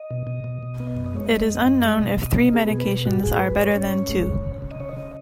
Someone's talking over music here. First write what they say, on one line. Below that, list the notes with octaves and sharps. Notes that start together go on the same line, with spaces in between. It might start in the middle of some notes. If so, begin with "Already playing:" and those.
It is unknown if three medications are better than two.
Already playing: D#5
B2
B2
B2
B2
B3
F#2
D#5
G#3 C#5
D#5
G#3
F#2
F#2
G#3
B2 D#5
B2
B3
B3 G#4
B2 G#4
B4
B2
G#2 F#4
G#2 G#4
G#2 B4
G#2 C#5
C#4
G#2
G#3
C#3
C#3
C#3
D#5
C#3 C#5
D#5
C#3